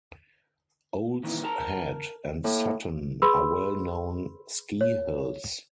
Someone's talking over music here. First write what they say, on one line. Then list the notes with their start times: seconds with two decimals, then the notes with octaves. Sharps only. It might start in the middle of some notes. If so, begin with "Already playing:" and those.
Owl's Head and Sutton are well-known ski hills.
1.23 A#2 D#3 E3
1.44 A#4 A5 A#5
2.44 A2 A#3
3.22 G#4 B4 B5 C6 E6
4.81 C#5